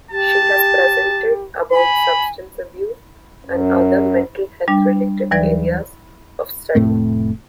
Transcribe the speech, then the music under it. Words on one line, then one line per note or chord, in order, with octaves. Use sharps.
She has presented about substance abuse and other mental health-related areas of study.
G4 A5
G#5 B5
F#2
G3 D4
D#2 E3 F#3 B4 D5
F1 A2 A3 C4